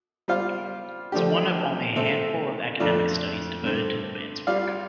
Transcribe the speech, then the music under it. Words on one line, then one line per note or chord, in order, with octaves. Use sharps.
Its one of "only a handful of academic studies" devoted to the band's work.
G3 F4 C5 F5
F3 A3 D4 G4
C3 A3 C4 A4
F2 D3 A3 F4 D5
G2 D3 A3 C4
G3 F4 D5 F5